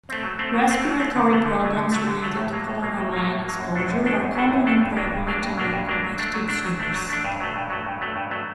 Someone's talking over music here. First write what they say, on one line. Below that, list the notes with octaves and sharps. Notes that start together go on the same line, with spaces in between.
Respiratory problems related to chloramine exposure are common and prevalent among competitive swimmers.
A3 C4
F#3
A3 C4
F#3
A3 C4
F#3
A3 C4
D3
F#3 A3
D3
F#3 A3
D3
F#3 A3
D3
F#3 A3
A2
F#3 A#3
A2
F#3 A#3
A2
F#3 A#3
A2
F#3 A#3
F#2
F#3 A3 D4 A4
F#2
F#3 A3 D4 A4
F#2
F#3 A3 D4 A4
F#2
F#3 A3 D4 A4
G2
F#3 A#3 D4
G2
F#3 A#3 D4
G2
F#3 A#3 D4
G2
F#3 A#3 D4
F#3
A3 D4
F#3
A3 D4
F#3
A3 D4
F#3
A3 D4
G2
F#3 A3
G2
F#3 A3
G2
F#3 A3
G2
F#3 A3